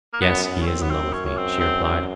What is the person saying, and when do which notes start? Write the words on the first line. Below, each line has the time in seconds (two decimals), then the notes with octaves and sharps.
"Yes, he is in love with me," she replied.
0.13 A#3
0.21 F#2 B3
0.43 B3
0.61 C#4
0.67 F#2 C4
0.83 B3
0.90 C4
1.13 C#4
1.25 C#4
1.37 C4
1.60 C4
1.84 C4